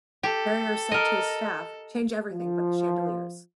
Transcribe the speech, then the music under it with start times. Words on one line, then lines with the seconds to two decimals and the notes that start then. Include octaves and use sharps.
Perrier said to his staff, Change everything but the chandeliers.
0.23 G4 A4
0.92 A#4 D#5
2.32 F3